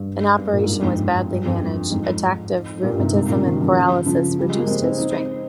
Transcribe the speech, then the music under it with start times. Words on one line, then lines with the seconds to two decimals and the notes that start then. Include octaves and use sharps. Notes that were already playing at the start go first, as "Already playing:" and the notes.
An operation was badly managed; attacks of rheumatism and paralysis reduced his strength.
Already playing: G2
0.38 G2
0.53 A#2
0.63 G#2
0.72 G2
0.82 F2 G#2
1.31 G2
1.46 F2
1.61 G2
1.91 F2 G#2
2.83 G2 A#2
2.98 G#2 C3
3.14 G#2 C3
3.29 A#2 C#3
3.45 C3 D#3
3.56 G3
3.60 C#3 F3
4.06 C#3 F3
4.39 G3
4.49 G#3
4.59 A#3
4.67 G#3 C4
4.82 C4 D#4
4.98 C4 D#4